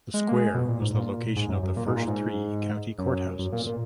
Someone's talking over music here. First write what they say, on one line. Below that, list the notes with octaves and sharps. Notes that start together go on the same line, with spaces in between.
The square was the location of the first three county courthouses.
G#3
A#3
G#3
B2
A#2
G#2
A#2
G#2
F#2
F#2
A#2
G#2
A#2
G#2
F#2
F#2
A#2
A#2